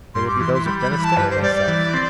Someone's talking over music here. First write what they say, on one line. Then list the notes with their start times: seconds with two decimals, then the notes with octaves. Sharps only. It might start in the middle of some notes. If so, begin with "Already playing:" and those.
They will be those of Deniston and myself.
0.14 G2 C6
0.27 D6
0.40 E3 C6
0.53 C6
0.66 G3 B5
0.78 B5
0.91 E3 B5
1.04 A5
1.17 G2 B4
1.30 C5
1.42 G3 D5
1.55 D5
1.67 E3
1.93 C4